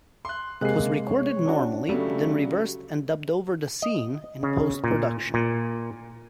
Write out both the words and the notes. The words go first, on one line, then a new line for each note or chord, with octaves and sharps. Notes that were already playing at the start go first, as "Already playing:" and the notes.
It was recorded normally, then reversed and dubbed over the scene in post-production.
C6 F#6
C3 G#3 A#3 F#6 C7
C#5
C#4 D4 F#4
C#3 F#3 G3 A3
D#5
C#3
A#2
A#2